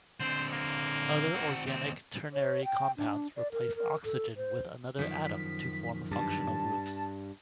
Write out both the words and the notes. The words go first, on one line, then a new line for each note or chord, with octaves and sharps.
Other organic ternary compounds replace oxygen with another atom to form functional groups.
D3 C4 C5
A#3
C4 F#4
D#2 C4
C#5
G5
D4
D5
A#4
A#4
A4
C5
F#2 D#3 F3 B6
G2 A5